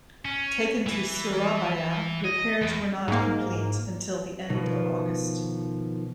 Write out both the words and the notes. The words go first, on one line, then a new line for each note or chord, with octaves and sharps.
Taken to Surabaya, repairs were not complete until the end of August.
C#4
E3
D#5
E2
G#2 A#3
B2 D#3 F3